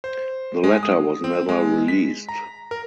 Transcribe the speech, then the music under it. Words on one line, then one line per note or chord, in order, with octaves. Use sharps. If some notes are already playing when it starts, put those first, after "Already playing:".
The letter was never released.
C5
G#3
D#6
C4
G#3
B6
A#5
A#4